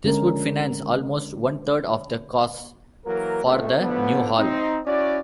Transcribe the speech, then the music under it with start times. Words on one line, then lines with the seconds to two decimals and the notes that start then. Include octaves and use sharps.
This would finance almost one third of the costs for the new hall.
0.04 D3 G#3 C#4 A#4
3.06 E3 F#3 A#3 A#4
3.44 C#2 A3
3.79 A2 D3 F3 B3
4.38 C4 D#4
4.86 C#4 E4 F#4 D5